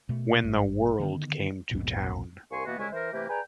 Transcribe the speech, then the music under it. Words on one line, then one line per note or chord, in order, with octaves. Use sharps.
"When the World Came to Town".
B2 A3
G#1 G2
D3 D#3 B3
A#1 E2 G#2 B2
C2 A#3 G#5 C6 C#6
B2 E3 A#3 B3 F#4
C2 C#3 G#3 E4 G#5 C#6
E3 A#4 C5
C3 E3 A3 A#3 G4 B4
G#4 B4 D5 G5 G#5 A#5